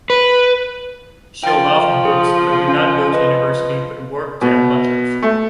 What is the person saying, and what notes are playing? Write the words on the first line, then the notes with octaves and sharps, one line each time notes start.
She loved books but did not go to university but worked at Butlins.
B4
F3 G5 A6
G#4
C#4
B4 D#5
B2
A3